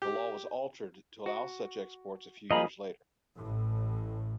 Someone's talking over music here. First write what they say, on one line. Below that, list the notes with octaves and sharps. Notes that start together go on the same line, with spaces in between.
The law was altered to allow such exports a few years later.
G4
F#4
F3 A#3 G#4 D#5 A#5 B5
A1 A2